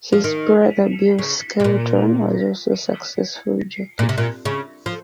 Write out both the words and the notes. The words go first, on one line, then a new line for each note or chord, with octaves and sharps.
His brother Bill Skelton was also a successful jockey.
F3
D#3
C#3
C3
A#2
A#2
C3
A#2
C#3
F3